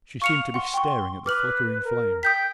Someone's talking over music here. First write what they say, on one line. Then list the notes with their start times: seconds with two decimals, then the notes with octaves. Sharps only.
She seemed to be staring at the flickering flame.
0.22 F5 C#6 C#7 F7
0.54 F#5 C6 C#6
0.74 G5 C#6
1.26 B4 D6 F6 F#7
1.84 A#4
2.23 G5 D#6 G6 B6